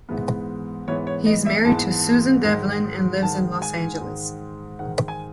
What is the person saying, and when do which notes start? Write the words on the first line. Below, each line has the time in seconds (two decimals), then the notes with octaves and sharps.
He is married to Susan Devlin and lives in Los Angeles.
0.09 G#2 E3 G#3 B3
0.87 G#2 E3 G#3 B3 C#5
1.07 C#5
1.26 D#5
1.46 E5
1.65 G#2 E3 G#3 B3 A5
2.44 G#2 D#3 G#3
3.22 G#2 D#3 G#3 A5
3.62 G#5
4.01 G#2 D#3 G#3
4.79 G#2 D#3 G#3 F#5
5.08 G#5